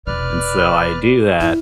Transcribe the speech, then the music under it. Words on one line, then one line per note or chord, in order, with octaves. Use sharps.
and so, I do that.
E1 C3 B4 D5 F6
G2 E4